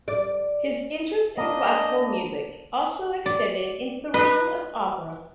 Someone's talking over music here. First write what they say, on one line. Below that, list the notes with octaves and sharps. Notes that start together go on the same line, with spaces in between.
His interest in classical music also extended into the realm of opera.
D5
A#3 D4 D#5
D5
B4 D#5